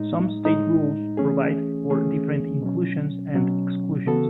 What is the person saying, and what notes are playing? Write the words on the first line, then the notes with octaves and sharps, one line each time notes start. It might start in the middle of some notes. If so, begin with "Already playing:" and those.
Some state rules provide for different inclusions and exclusions.
Already playing: A2 G#3 D#4
A2 G#3 D#4
E3 A3 C#4 G#4
E3 A3 C#4 G#4
B2 F#3 C#4
B2 F#3 C#4
C#3 E3 B3 F#4 A4